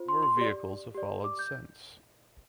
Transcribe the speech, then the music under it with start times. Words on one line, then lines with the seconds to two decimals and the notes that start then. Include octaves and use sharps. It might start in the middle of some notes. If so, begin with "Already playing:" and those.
More vehicles have followed since.
Already playing: F4 C5
0.08 C6
0.23 C6
0.37 G4 D5
0.95 G4 D5
1.24 D6
1.39 G6